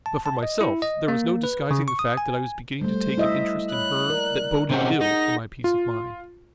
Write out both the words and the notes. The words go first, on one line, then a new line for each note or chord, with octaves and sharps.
But for myself, there was no disguising the fact that I was beginning to take an interest in her that boded ill for my peace of mind.
A5
A5
D#5
E4
D#5
A#3
B4
C#3
C#6
D#6
G#5
G3 A3 C5
E4 D#5 E5
C#5 B5 F#6
A#4 D5
C3 C4 C#4 G#4 D#5 F#5
D#4 A#6
F4